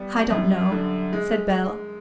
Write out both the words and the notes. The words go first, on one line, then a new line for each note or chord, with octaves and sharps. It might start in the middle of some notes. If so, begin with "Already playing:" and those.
"I don't know," said Bell.
Already playing: G3 B3
F#2
D3
G#3